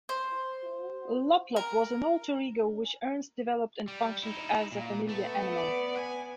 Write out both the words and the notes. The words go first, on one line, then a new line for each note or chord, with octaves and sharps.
Loplop was an alter ego which Ernst developed and functioned as a familiar animal.
C5
A#4
G3
D#4 E4
A#2
A3 B3
D5
F#5 G#5